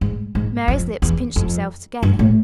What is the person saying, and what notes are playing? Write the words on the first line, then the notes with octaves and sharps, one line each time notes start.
Mary's lips pinched themselves together.
G#2
G#2
F2
E2
F2
G2
A2